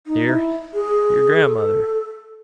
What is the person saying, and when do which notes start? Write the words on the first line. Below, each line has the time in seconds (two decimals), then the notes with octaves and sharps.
"Dear," your grandmother.
0.07 D#4
0.29 E4
0.74 G#4
1.42 A4